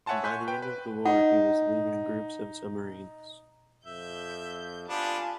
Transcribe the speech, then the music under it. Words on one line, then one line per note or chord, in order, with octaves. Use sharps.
By the end of the war he was leading groups of submarines.
C#5 E5 F#5 G#5 A5 C6
G#5 C6 C#6 F#6 G6 B6
B4 G5
B4
D#4 F#5
F2 E5 G6
B3 D4 F4 G4 G#5 A5